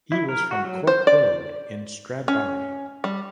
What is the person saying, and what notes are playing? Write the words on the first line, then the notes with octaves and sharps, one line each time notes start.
He was from Cork Road in Stradbally.
E4
A#4
F#4
F#3
C5
D5
C#4
G3